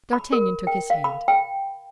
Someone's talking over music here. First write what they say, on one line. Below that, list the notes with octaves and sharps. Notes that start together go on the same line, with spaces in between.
D'Artagnan took his hand.
B5
A#4
G5
F5
B5
G5